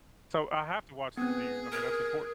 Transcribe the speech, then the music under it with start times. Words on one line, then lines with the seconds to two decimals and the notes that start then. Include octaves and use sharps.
So, I have to watch the news, I mean, that's important.
1.17 B3 C4 G#4 B4
1.72 A#4